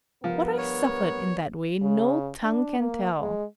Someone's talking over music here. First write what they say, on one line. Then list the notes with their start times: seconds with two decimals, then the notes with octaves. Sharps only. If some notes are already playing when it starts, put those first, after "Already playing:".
What I suffer in that way no tongue can tell.
0.24 G2 F3 B3 A#4
0.58 C#5
1.82 C#3
2.43 D4
2.79 A#3
3.20 G#3